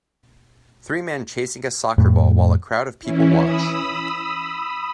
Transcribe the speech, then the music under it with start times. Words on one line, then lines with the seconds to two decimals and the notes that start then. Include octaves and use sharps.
Three men chasing a soccer ball while a crowd of people watch.
1.98 F2 A2 A3
3.02 E3 C#4 E4
3.41 B5 D#6 E6